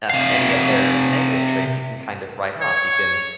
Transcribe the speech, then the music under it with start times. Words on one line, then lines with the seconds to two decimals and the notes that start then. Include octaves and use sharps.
uh, any of their negative traits you can kind of write off, you can,
0.10 C3 F5
2.61 C#5